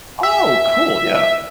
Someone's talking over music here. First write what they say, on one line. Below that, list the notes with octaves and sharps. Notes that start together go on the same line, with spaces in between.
Oh, cool, yeah.
E5